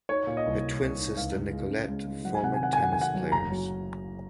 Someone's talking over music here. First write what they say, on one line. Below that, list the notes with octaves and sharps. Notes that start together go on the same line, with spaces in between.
Her twin sister Nicolette former tennis players.
D#4 C#5
A#2
D#5
C2
C2
C2
D#4
C#2 F5
C#2
G#3
C#3
G#3
G#3
F#3 F#5
G#5
C3 F#5
G#5
D#3 F#5
G#5
D#3 F#5
D#3 G#5
F#5
F#3
F#1 A#5
F#3